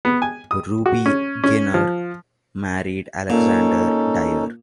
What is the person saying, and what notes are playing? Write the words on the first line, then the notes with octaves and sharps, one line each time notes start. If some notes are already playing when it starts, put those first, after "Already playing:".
Ruby Ginner married Alexander Dyer.
B3
G#5
D#6
F#4
C#4
C#4
F3
A#2 C#4 D#4 A4